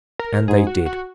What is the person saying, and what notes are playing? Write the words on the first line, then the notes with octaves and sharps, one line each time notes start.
And they did.
A#4
G#2 G#4
F#4
F#4